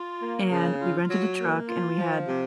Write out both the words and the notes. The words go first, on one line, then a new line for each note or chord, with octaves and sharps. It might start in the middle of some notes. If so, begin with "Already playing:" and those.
and we rented a truck and we had
Already playing: F4
A#3
C#3
F4
F#3
A#3
F4
F3
C3